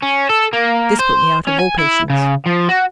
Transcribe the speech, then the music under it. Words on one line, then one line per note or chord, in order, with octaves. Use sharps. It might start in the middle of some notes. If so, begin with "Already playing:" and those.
This put me out of all patience.
C#4
A4
A#3
C5
C#4
G#5
E4
C#3
F3
F#4